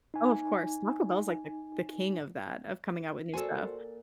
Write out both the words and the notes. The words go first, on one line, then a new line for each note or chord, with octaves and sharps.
Oh, of course. Taco Bell is like the the king of that of coming out with new stuff.
D#4 G#5
A#2 F#4 A4 C5 G#5